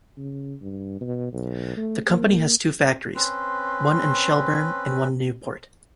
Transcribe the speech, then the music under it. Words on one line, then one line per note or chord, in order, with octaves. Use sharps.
The company has two factories: one in Shelburne and one in Newport.
C#3
G2
B2
B1
A3
A#3
C4 C#4 B4 C6